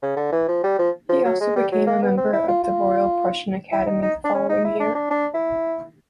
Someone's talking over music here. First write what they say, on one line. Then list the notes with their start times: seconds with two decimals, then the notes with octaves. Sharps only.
He also became a member of the Royal Prussian Academy the following year.
0.02 C#3
0.17 D3
0.32 E3
0.48 F3
0.64 G3
0.79 F3
1.09 F3
1.25 F#3
1.40 G#3
1.56 G3
1.72 F#3
1.87 A#3
2.02 B3
2.17 C4
2.33 E4
2.48 F4
2.63 F4
3.72 E4
3.87 D#4
4.02 D#4
4.24 D4
4.34 C#4
4.49 D#4
4.65 E4
4.80 D4
4.95 D4
5.11 D4
5.34 E4